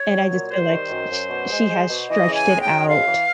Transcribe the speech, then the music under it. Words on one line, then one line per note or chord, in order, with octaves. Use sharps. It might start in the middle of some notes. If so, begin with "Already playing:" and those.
and I just feel like sh she has stretched it out
Already playing: C#5
F#3
A#2
G3 C5
D#3
F#2
F#2
B2
G#3
G#3
B2
E3 D#5
C#3
G#5
G#3
G5
F#2
G#3 F5
E3